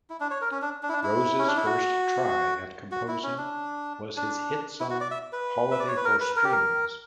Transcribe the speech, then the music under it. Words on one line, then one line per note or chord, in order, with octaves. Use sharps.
Rose's first try at composing was his hit song "Holiday for Strings".
E4
D4
C#5
A#4
C#4
D4
D4
E4
D4
E4
C#4
D4
E4
F#4
F#4
E4
C#4
D4
D4
E4
F#4
D5
E5
B4
E5
D5
C#5
B4
A#4
B4
A#4
G4
A#4